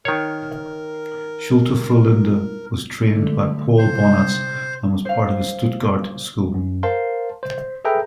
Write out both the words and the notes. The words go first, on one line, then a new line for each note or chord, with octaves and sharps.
Schulte-Frohlinde was trained by Paul Bonatz and was part of his Stuttgart school.
D#3 A#4 C#5
D3 A3
C3 C5
C5 F5
F#2
A#4 C5 F5 A5 C6
C5
G#4 A4 B4 E5 G5 A#5